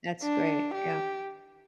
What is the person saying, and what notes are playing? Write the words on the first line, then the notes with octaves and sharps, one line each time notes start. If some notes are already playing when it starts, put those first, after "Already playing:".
That's great, yeah.
D4
G4